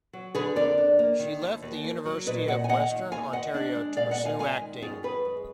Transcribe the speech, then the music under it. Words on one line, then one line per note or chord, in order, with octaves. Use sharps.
She left the University of Western Ontario to pursue acting.
F#3
D3 G#4 B4
F2 A#4 D5
D4
A#3
D#3
D#2
D#2
A#3
F#3
A#2 B4 D#5
A#2 D#5 F#5
G#5
A#3 D#5 F#5
D#3
D#2 F5 G#5
D#2 D#5 F#5
D4
G#3
A#2 D5 F5
D#5 F#5
A#2
F5 G#5
G#3 F5 G#5
D#3
F#2 F4 G#4
F#2 G#4 B4
G#3